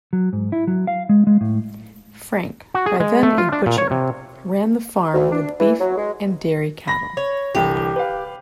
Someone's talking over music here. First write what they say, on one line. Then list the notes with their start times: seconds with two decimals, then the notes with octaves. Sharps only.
Frank, by then a butcher, ran the farm with beef and dairy cattle.
0.13 F#3
0.33 G#2
0.52 E4
0.67 F#3
0.87 F5
1.09 G#3
1.27 G#3
1.41 A2
2.74 F#4
2.86 G#4
3.00 G#3
3.23 A3
3.38 F4
3.52 D4
3.66 A#2
3.78 C#5
3.91 C3
5.13 D2
5.32 D4
5.60 E3
5.80 F#3
5.97 G#3
6.88 B5 A#6
7.17 C#5
7.55 C2 D3 E3 G4
7.96 B4 F5